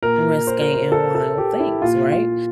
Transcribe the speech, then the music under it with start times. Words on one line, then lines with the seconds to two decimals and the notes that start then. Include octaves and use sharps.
risque and wild things, right?
0.03 A#2 A#4
0.47 C5
0.61 A#4
0.73 C5
0.92 A4
1.15 A4
1.38 G4
1.59 E4
1.82 A#2 F4
2.12 F4